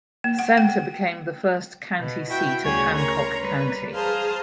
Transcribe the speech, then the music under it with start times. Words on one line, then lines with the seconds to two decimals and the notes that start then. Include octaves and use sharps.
Center became the first county seat of Hancock County.
0.24 A#3
0.39 F#5
0.58 G5
1.99 B2
2.28 E4 F#4 G5 G6
2.63 D2 C#3 G3 G#4 C#5 G#6
2.95 A#4 C#5 A#5 C6
3.40 G3 B4
3.92 G#4 C5 F5 A5 A#5